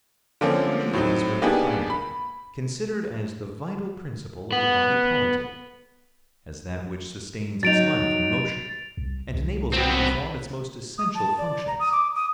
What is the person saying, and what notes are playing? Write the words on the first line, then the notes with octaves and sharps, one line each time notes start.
Money is, with propriety, considered as the vital principle of the body politic; as that which sustains its life and motion, and enables it to perform its most essential functions.
D3 F3 A#3 C4 C#4
A2 F#3 C4 D#4
A#3 B3 D4 D#4 G4 G#4
B5
B3
F#3 D#4 A6 D7 F7
C2
C2
B3 C4
D#6
A5
D5
A#5
D#6
D6
D#6